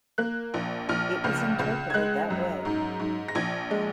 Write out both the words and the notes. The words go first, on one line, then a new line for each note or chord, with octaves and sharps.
It was interpreted that way.
A#3 F#6
A#1
A#1 F6
C#2 F6
C#2
G#6
G#3 F#6
F#2
G#2
G#2
A#6
A#1 G#6
G#3